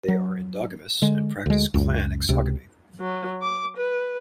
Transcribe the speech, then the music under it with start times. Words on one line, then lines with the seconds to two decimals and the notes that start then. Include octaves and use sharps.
They are endogamous, and practice clan exogamy.
0.08 F#3
1.02 D3 G#3
1.46 D2 G#3
1.74 C#2 F#2
2.29 C#2 C3
3.00 F#3
3.42 D6
3.77 B4